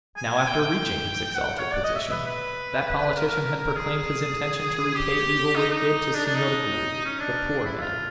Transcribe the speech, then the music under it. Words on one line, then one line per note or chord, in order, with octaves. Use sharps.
Now, after reaching his exalted position, that politician had proclaimed his intention to repay evil with good to Senor Gould--the poor man.
G#5
G5
G5
F#5
C#5
D5
D#5
E5
B4
B4
A#4
G#4
G4
D#4
D#4
D4
D4
D#4
C#4
D4
E4
F4